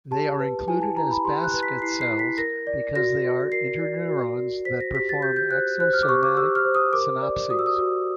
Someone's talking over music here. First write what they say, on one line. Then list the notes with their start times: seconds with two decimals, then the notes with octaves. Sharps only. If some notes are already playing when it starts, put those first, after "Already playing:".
They are included as basket cells because they are interneurons that perform axo-somatic synapses.
0.11 G4 A5
0.39 B4
0.68 E4 G#5
0.82 A5
0.97 E4 A#5
1.11 B5
1.24 G4 C6
1.43 F#6
1.53 B4
1.63 B6
1.82 E4 C7
2.01 C7
2.10 E4
2.19 B6
2.38 A#4 A#6
2.67 D5
2.95 F#4 A#6
3.24 F#4
3.52 A#4 C7
3.81 D5
4.09 F#4
4.38 F#4
4.65 C5 B6
4.81 A#6
4.94 G4 B6
5.09 A6
5.22 G4 G6
5.36 G6
5.51 C5 F#6
5.80 C5 F#6
5.93 F6
6.03 D6
6.07 G4 C#6
6.23 D6
6.37 G4 E6
6.55 F6
6.65 C5
6.75 D#6
6.93 A#4 D6
7.22 D5
7.50 F#4 D#6
7.59 E6
7.66 D#6
7.79 F#4